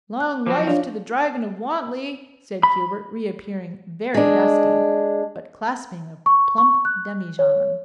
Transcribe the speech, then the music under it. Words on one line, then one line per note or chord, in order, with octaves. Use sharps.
"Long life to the Dragon of Wantley!" said Hubert, reappearing, very dusty, but clasping a plump demijohn.
F#6
F3 F#3 C4 C5 D6
D4 F4 C#5 D5 F5
B5
G#3 D4
C#6
C#6
F#6
C#5